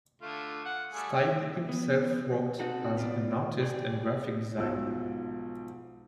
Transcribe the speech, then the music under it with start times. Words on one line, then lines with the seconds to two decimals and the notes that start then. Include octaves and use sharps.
Steig himself worked as an artist and graphic designer.
0.22 D3 A3 F4
0.65 F#5
0.93 G3 A3 G#4
1.14 E5
1.69 B3
2.60 C4 D#4 F#4 A4
2.97 B3 F4 D5
3.62 G4 G#4 D5 G5
4.58 B1 G#2 F3 E6